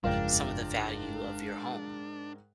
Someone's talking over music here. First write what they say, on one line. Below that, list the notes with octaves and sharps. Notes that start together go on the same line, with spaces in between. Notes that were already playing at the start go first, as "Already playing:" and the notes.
some of the value of your home.
G1 F2 G#2 C#3 D4 F4 A#4 G5